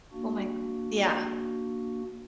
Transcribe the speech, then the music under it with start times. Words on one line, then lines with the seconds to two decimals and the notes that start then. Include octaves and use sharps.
Oh, my g yeah.
0.12 A#3 D4 F#4